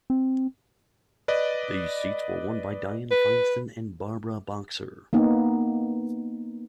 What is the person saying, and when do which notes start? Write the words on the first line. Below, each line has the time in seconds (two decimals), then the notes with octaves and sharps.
These seats were won by Dianne Feinstein and Barbara Boxer.
0.10 C4
1.28 B4 D5 D#5
3.11 B4
5.13 A#3 B3 D#4